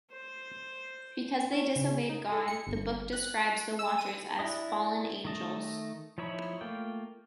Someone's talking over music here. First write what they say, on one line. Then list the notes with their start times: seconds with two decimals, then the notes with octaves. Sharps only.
Because they disobeyed God, the book describes the Watchers as "fallen angels".
0.12 C5
1.53 C#4
1.76 C#3
2.09 D#4
2.32 A4
2.48 C#7
2.67 G1
3.13 F#6
3.79 E6
3.98 D#7
4.39 D4 E4 D#5
5.24 D#3 A3 D#5 A5
6.18 F3 D#4 E4 C#5 B5
6.61 A3 A#3 F4 G5